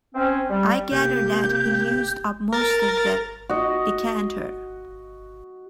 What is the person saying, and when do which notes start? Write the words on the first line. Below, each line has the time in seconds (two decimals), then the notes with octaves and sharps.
I gather that he used up most of the decanter.
0.14 C4 C#4
0.50 G3
0.92 C3 A#3 G4 G6
2.53 A#4 A6
3.49 F#4 D#5